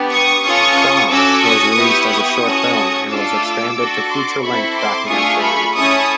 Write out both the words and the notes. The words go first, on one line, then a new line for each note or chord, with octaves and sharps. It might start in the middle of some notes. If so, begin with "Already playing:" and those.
"Prom" was released as a short film and was expanded to feature-length documentary length.
Already playing: B3 D4 G4
C#6 D#6
C#4 F4 A4 C#6 D#6
C#4 F#4 A4 D6 E6
C#6 D#6
B3 E4 G4
C#6 D#6
C#4 F#4 A4
A3 D4 F4 A4 D6 E6
D4 F#4 A4
C6 D6
C4 E4 A4 B5 C#6
C6 D6
A3 D4 F4 G#4 C#6 D#6
B5 C#6
C#4 E4 A4 C#6 D#6